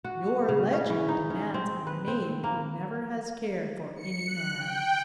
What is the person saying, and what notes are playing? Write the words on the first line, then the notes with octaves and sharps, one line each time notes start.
"Your legend demands a maid who never has cared for any man."
F#4
C#3
C#4
E3
D#4
C#4
C4
B4
C4
A#3
C#7
F#6
G5